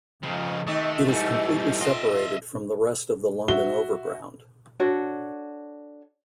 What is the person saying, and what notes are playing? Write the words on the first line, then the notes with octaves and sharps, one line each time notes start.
It is completely separated from the rest of the London Overground.
F2 C#3 F3
C3 D#3 A3 D#5
G#2 E3 G3 A3
C4 F4 D#5 E5
F4
F#4 E5 G7
D4 F#4 A4 C#5